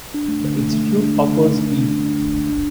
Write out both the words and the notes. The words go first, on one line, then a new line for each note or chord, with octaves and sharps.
The institute offers B.
D4
A3
D3
A3
A3
A3
D4
A3
D3
A3
A3
D4
D4
D4
D4
D4
D4